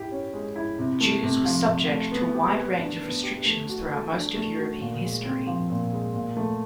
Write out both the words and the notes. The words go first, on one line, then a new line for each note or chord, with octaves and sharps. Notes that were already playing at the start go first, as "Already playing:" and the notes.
Jews were subject to a wide range of restrictions throughout most of European history.
Already playing: E4 G4
C#4
G#3
E4
C3
A3
C3
F3
C3
A3
B3
G4
B4
D4
B3
G4
A3
F#4
A4
D4
A3
F#4
A#2
G#3
C4
F3
A#2
G#3
A#2
A3